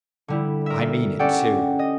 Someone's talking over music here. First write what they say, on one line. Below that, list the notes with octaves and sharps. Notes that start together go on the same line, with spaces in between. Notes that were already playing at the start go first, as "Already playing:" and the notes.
I mean it too.
D3 G3 E4
A#4 E5
C#4 G4 A4 D5 F#5 G5
D#5